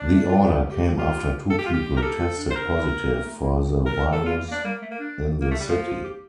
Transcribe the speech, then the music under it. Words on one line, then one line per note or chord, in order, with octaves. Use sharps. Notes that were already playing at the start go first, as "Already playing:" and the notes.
The order came after two people tested positive for the virus in the city.
Already playing: D4
A3
F4
G4
G4
F4 G4
A4
G4
F4
G4
A#4
G4 A4
F4
D4
C5
A#4
A#3
A3
A#3
A#4
A3 A4
A#3 F4
A#3
D4
G3 A#3
A3
A#3
D4
A#3
A3
G3
F3 A3
F4
G4